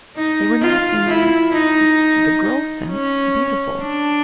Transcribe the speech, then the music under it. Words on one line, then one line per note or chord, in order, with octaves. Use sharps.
They were not, in the girl sense, beautiful.
D#4
F4
E4
D#4
C#4
D4